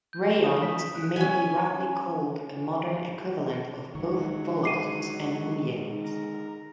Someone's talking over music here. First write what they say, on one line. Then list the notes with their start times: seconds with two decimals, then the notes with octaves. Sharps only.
Raions may be roughly called a modern equivalent of both volosts and uyezds.
0.13 G6
0.32 E7
0.44 D#6
0.63 B6
0.79 B6
0.95 F#6
1.16 C#4 G#5
3.95 D3 D#3 F#3 G#3 D#4 C#5
4.63 D6 C7 D#7
6.04 A#4